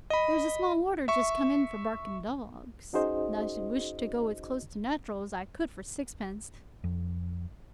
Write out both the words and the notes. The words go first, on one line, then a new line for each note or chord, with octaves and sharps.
There's a small order just come in for barking dogs; and I should wish to go as close to Natur' as I could for sixpence.
D#5 B5
E5 C#6
C#4 D#4 F#4 G#4 C5 D#5
F2